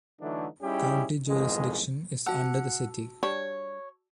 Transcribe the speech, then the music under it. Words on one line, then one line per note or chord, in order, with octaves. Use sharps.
County jurisdiction is under the city.
D3 E3 F#3 A3 D4 D#4
G3 C#4 D#4 E4 G4 G#4
A1 F2 B2 D#3 G#3
F#4 F#5 A5 E6
G3 D4 C#5